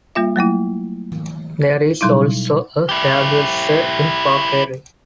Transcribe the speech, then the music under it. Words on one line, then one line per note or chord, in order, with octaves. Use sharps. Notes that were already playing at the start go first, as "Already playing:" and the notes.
There is also a hairdresser in Porkeri.
G3 A#3 F4 E5
F#3 A3 A#3 E4
B2 F#3 G3 D#4 E4
E4 G4